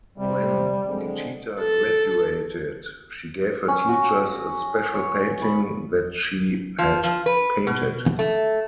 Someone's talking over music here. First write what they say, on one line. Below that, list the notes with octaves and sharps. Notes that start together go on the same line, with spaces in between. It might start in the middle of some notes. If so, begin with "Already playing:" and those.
When Nechita graduated, she gave her teachers a special painting that she had painted.
C3 G3
D3 G#3 C4
A4
C#4
F#4
C#5
B5
F3
F3
B4
B2
A3